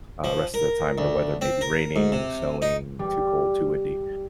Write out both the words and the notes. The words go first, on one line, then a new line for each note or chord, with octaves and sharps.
Uh, rest of the time, the weather may be raining, snowing, too cold, too windy.
F3
A#4
D2
C4
A#4
G#2
C3
D#4
G3